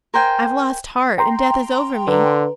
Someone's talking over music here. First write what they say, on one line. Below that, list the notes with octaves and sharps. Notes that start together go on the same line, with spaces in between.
I've lost heart, and death is over me.
A#4 C5 G5 G#5
G5 A#5 C6
D3 B4